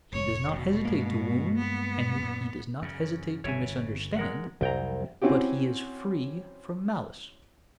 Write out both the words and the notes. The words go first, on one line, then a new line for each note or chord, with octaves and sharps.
He does not hesitate to wound and he does not hesitate to misunderstand, but he is free from malice.
F1 C#5
B2
G2 G#3 A#3
B3
F#2 A#2
F#2 C#3
G1 C#3 C#5 E5 G#5
G#3 A#4 F#5
C2 F2 F#3 G3 G5 A#5
C4 C#4 E4 F#4 G4